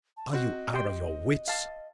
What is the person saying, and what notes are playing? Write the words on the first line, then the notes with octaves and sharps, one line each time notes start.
Are you out of your wits?
A5
C4 F#4 D#5
G4 G5 C6
F5 A5